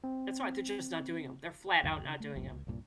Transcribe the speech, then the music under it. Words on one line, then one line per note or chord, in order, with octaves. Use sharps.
That's right, they're just not doing 'em. They're flat out not doing 'em.
C4
C#2 F#2 D#3
C#3
A3
G1 C#2 F#2 A#2
C#2
C2 G2 A#2